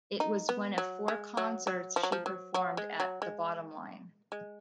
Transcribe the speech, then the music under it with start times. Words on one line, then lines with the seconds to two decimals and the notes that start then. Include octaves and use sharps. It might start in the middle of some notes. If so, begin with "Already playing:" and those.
It was one of four concerts she performed at The Bottom Line.
0.20 D#4
0.49 B3
0.78 F#3
1.08 G#3
1.37 F#3
1.67 F#3
1.96 F3
2.03 F#3
2.12 F3
2.26 F#3
2.54 F#3
2.77 G#3
3.00 F#3
3.22 G#3
4.32 G#3